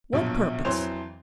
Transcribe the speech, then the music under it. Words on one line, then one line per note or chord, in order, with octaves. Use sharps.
"What purpose?"
A#1 B2 F3 F#3
F2 E3 F#3 C5 C6 F7